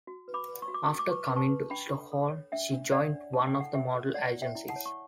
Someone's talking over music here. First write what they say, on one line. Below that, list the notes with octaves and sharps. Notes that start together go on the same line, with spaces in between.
After coming to Stockholm she joined one of the model agencies.
F#4
B4
B5 D6
B4
C#6
F#4
D6
F#4 C#6
D6
B4 C#6
D6
B4
A5 C#6
B4
D4 G5 B5
A4
A4
C#5
D4 E5 G5
D4
C#5 D5 F#5
D4
E4 A5
G5
A4
F#5
C#5 E5 G5
A4
C#5 D5 F#5
E4
E5 G5
E4
F#5 A5
C#5
C#6